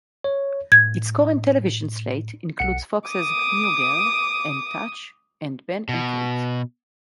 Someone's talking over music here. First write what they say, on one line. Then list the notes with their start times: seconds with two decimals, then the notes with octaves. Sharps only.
Its current television slate includes Fox's "New Girl", and "Touch" and "Ben and Kate".
0.24 C#5
0.72 A2 G#6
2.59 B1 F#5 C#7
3.10 D6 D#6
5.89 B2